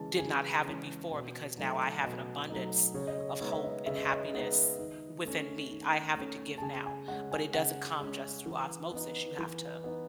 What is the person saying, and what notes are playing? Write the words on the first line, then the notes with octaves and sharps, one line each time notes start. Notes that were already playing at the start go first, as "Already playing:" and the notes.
did not have it before because now I have an abundance of hope and happiness within me. I have it to give now," but it doesn't come just through osmosis, you have to
Already playing: C#3 E3 G#3 C#4 A5
C#3 G#5
E3 G#3 C#4
B2
F#3 A3 D#4
B2
F#3 A3 D#4
C#3 C#5
D#5
C#5
G#3 B3 D#4 C#5
E5
D#5
C#3 E5
D#5
C#5
D#5
G#3 B3 D#4
D#3
A3 C#4
D#3
A3 C#4
A5
C#3 G#5
G#5
G#3 C#4 F#5
G#5
C#3 F#5
G#3 C#4
E3
B3 D#4
E3
B3 D#4